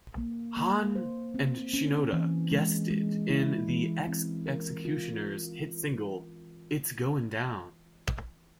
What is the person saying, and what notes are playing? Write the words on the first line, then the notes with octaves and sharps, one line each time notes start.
Hahn and Shinoda guested in The X-Ecutioners' hit single "It's Goin' Down".
A#3
A#3
C5
C4
C#4
E3
G#3
G#3
E4
E3
C4
A#4
F4